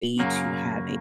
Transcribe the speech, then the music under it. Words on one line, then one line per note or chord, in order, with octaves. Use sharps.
stage to have a
F#2 C#3 F#3 A#3